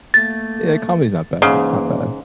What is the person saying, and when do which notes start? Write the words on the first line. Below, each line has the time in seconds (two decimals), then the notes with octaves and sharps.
Yeah, comedy's not bad, it's not bad.
0.14 A3 A#3 A6
1.42 G#2 C#3 E3 A#3